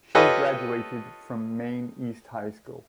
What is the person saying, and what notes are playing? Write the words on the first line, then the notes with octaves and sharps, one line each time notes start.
She graduated from Maine East High School.
F4 G4 A4 B4 C#5 D#5